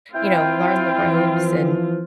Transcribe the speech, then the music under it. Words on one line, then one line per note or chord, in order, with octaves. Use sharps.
you know, learn the ropes and
C4 E4 F4 G5
E3 F3